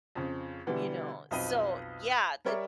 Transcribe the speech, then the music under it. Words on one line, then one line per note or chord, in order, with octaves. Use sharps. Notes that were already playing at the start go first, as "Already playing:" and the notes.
you know. So, yeah, it
F2 C#3
B2 D3 E3 G3
B1 F2 D#5 B5 D#7
G3 A#4 C#5 D5 E5